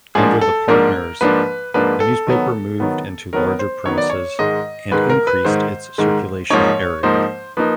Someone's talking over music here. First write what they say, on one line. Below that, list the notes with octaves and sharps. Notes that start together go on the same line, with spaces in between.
Under the partners the newspaper moved into larger premises and increased its circulation area.
G#2 F3 A#3 D4 G#4
A4
G#2 F3 A#3 D4 A#4
G#2 F3 A#3 D4 B4
G#2 F3 A#3 D4 B4
A4
D#3 F#3 B3
D#3 F#3 B3
D#3 F#3 B3 A#4
C5
D#3 F#3 B3 C#5
D5
C#5
G#2 D#3 G#3 D#5
G#2 D#3 G#3 B4
A#4
B4
G#2 D#3 G#3 C5
G#2 D#3 G#3
G#2 F3 A#3 D#4 C#5
G#2 F3 A#3 D#4 C5
F3 A#3 D#4 B4